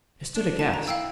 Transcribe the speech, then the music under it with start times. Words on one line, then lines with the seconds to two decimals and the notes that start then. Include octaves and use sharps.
I stood aghast.
0.35 D4
0.59 A5
0.74 A#5
0.88 E4 F5 G5 E6